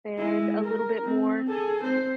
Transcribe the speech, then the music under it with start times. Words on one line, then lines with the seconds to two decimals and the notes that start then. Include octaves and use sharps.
and a little bit more,
0.17 G#3 E4
0.64 A#4
1.03 C4
1.48 G#4 A4
1.83 C4 C5